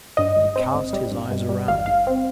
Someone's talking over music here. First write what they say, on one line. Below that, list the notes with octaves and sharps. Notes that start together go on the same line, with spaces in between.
He cast his eyes around.
G2 D#5
G#1
C4
G#1
G3
G2
G2
G3
G#1 F5
G#1 F5
C4